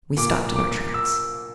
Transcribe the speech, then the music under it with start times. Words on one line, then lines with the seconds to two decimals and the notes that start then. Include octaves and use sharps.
We stopped in our tracks.
0.17 A#2 D6
0.56 D6
0.94 E6